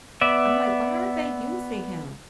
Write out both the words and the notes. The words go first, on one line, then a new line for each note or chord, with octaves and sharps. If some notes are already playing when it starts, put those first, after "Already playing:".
I'm like, "Why aren't they using him?"
B3 D5 E5